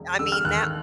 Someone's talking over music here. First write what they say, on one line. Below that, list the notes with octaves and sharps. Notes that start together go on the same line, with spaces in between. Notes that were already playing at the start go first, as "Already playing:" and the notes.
I mean that
Already playing: E1
D3 E6
F6
D#2 F#6